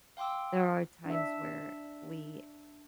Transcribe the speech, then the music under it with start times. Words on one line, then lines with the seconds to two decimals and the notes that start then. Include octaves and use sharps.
there are times where we
0.17 F5 G5 C6 D6 E6
1.06 D4 E5